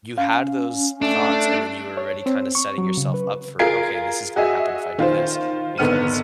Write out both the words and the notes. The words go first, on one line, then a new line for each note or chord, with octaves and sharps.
you had those thoughts, and then you were already kinda setting yourself up for, "Okay, this is gonna happen if I do this," because,
C#4 F5
A3 D4
C#5
C4
C#6
F#3
C#3
B4
F4 G#4 A#4 G#6 C7 D7
F#4 G#4 D#5 E5 G#5
D#3 F4 C5
G#1 D3 B3 F6 D#7